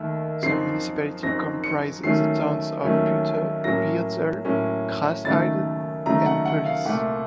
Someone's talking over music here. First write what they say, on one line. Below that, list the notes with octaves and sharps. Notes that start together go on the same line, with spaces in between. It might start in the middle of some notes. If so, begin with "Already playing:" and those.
The municipality comprises the towns of Putte, Beerzel, Grasheide and Peulis.
Already playing: D#2 D#3 A3
F#2 F3 C4 D#4 C7
F#2 F3 C4 D#4 A#6
C#7
D#2 D#3 F#3 A3 C#4 C7
D#2 D#3 F#3 A3 C#4
A2 F#3 A#3 C#4 A#6
A2 F#3 A#3 C#4
D#2 C#3 F#3 A3 D#4 A6
D#2 C#3 F#3 A3 D#4 A#5
F#5
F#5
F5
C2 A#2 A3 F#5